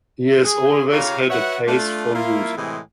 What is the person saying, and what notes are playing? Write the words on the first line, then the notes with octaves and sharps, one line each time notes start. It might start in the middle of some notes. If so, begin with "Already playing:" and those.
He has always had a taste for music.
G#4
C#3 F4 G4 C#5 F5 A#5
F#4 B4 C#5 E5 F#5
A3 D4 F4
A#3 E4 F4
A2 C3 E3 G#3